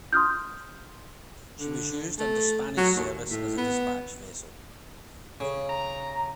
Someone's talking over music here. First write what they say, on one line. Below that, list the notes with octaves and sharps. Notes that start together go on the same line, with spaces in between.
She was used under Spanish service as dispatch vessel.
C6 D#6 F6 G6
D3
A3
F#3
D#2
A2
B3
C#3
A#5